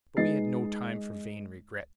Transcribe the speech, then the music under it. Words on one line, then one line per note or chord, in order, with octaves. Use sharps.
But we had no time for vain regrets.
G#3 D#4 B4 D#5 A6 C7